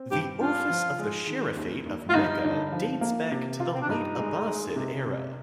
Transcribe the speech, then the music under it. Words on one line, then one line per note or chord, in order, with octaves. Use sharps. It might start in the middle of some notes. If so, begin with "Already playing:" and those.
The office of the Sharifate of Mecca dates back to the late Abbasid era.
Already playing: C4
G2 G4
D4 F4
F3
G#3
D#3
D#2
D#2
F4
G2 D#4
D3
F3
A#3
C3
F4
C4
D4
G2 D#4
G#3
G#3
C3
C3